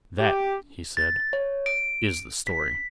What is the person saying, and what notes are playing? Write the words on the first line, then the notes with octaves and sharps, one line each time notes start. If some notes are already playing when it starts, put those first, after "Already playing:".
"That," he said, "is the story."
G4
A6
C#5
D7
B6